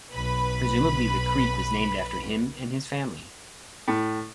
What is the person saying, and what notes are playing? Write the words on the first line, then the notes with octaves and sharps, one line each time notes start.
Presumably, the creek was named after him and his family.
B1 B4 B5
A2